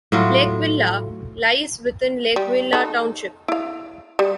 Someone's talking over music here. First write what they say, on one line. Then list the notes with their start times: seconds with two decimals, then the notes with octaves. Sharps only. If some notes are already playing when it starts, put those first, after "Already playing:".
Lake Villa lies within Lake Villa Township.
0.12 A2 F#3 F4
2.36 G3
2.73 D#4 A4
3.48 E4 F5
4.19 G3